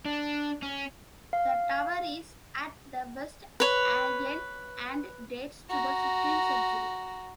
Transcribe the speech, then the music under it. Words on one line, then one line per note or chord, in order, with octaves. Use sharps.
The tower is at the west end and dates to the fifteenth century.
D4
C#4
F5
B4 C#5
F#4 A#5